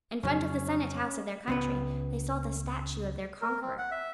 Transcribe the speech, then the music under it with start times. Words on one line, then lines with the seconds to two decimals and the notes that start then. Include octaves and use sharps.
In front of the Senate House of their country, they saw the statue of their conqueror.
0.23 F2 C#3 F#3 C#4
1.48 C#2 B3 B4
3.42 A#4
3.61 C4
3.78 F#5
3.91 E5